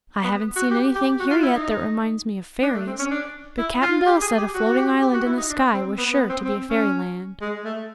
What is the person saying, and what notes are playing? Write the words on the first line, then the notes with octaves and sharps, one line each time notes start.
"I haven't seen anything here yet that reminds me of fairies; but Cap'n Bill said a floating island in the sky was sure to be a fairyland."
B3
F#4
G4
G4
F#4
F4
E4
D#4
D4
A3
C4
C#4
D4
E4
F4
G4
G#4
G4
F#4
F#4
G4
G4
F#4
E4
D#4
D4
C4
B3
B3
C4
C4
C#4
G#3
A3